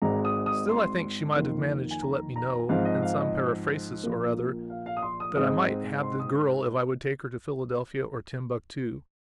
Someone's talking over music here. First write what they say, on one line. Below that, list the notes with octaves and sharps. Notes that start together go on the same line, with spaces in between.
Still, I think she might have managed to let me know, in some periphrasis or other, that I might have the girl if I would take her to Philadelphia or Timbuctoo.
G#1 G#2 G#3 A#5
D#6
D#6
C6
F2 D#3 A#3
G#5
A#5
A#5
G#2 F3 G#3 C4 F5
D#5
F5
D#5
A#1 A#2 A#3
F5
F5
D#6
C6
D#6
G#2 G#3 C4 D#6
C6
D#6